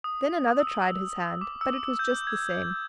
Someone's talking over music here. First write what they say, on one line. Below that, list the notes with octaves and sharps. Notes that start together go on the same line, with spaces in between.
Then another tried his hand; but it was just the same.
D#6
E6
D6
E6
G6
G#6